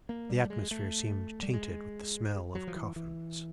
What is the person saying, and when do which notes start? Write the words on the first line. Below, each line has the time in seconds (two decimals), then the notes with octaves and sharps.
The atmosphere seemed tainted with the smell of coffins.
0.09 A#3
0.30 G3
0.44 A3
0.50 G#3
0.71 A3
1.43 G3
1.53 G#3
2.55 F#3
2.67 F3
2.76 E3
2.96 E3